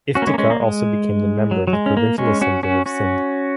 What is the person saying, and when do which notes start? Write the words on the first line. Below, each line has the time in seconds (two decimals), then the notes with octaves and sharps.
Iftikhar also became member of the Provincial Assembly of Sindh.
0.15 C#4 F#4
0.22 A#3
0.27 G#3 C#4
0.34 A#3
0.38 G#3 C#4
0.50 A#3
0.60 G#3
1.51 F#3
1.67 F#3
1.73 G#3
1.86 C#4
1.97 A#3
2.18 G#3 C#4
2.41 C#4 F#4
2.63 C#4 F#4
2.86 C#4 F#4